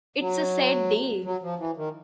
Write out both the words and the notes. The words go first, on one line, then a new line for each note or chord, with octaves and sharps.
It's a sad day.
F#3
F#3
F3
E3
D#3